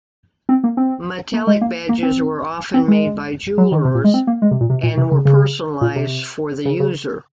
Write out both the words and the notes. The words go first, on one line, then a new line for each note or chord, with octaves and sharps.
Metallic badges were often made by jewelers and were personalized for the user.
C4
A#3
C4
A#3
G#3
A#3
A#3
C4
C4
G#3
F#3
D#3
C3
A#2
G#3
C4
A#3
G#3
C3
A#2
C3
A#2
C3
C#3
C#3
A#2
C3
C#3
C#3